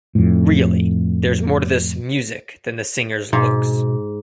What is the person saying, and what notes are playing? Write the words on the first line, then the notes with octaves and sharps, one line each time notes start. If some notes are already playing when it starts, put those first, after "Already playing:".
Really, there's more to this "music" than the singer's looks.
F2 A2
G#2 B2